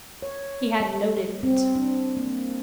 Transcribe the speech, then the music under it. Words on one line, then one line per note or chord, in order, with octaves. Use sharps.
He had noted it.
C#5
G3
C4
D4
A#3